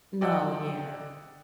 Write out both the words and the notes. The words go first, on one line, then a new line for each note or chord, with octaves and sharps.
No, yeah.
D5 D#5 F#5 G5 E6